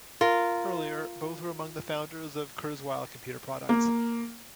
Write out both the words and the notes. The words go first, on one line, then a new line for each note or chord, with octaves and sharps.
Earlier, both were among the founders of Kurzweil Computer Products.
F4 A#4
A#3